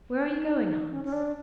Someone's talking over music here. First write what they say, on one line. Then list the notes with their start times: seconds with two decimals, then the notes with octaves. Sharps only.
'Where are you going, Hans?'
0.27 D#4
0.91 C#4
1.04 C#4
1.13 D4